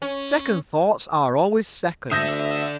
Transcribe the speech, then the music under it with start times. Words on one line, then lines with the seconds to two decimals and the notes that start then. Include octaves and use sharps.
"Second thoughts are always second."
0.02 C#4
2.12 D2 D3 D4 E5 D#6 G6 A#6